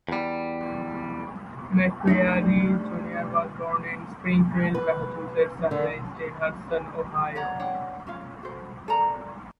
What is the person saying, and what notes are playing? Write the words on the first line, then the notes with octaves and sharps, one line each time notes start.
McCreary Junior was born in Springfield, Massachusetts, and raised in Hudson, Ohio.
E2 G3
G3 A3 D4 D#4
B4
D3
C#5 D5 F#5 A#5
D4 C#5 F#5 G5
C#4 F4 F5
F#4 A4 C5
A4 A#4 D5 A#5